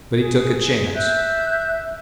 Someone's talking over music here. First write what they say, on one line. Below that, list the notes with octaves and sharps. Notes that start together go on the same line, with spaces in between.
But he took a chance.
G#4
E5 F#6 G6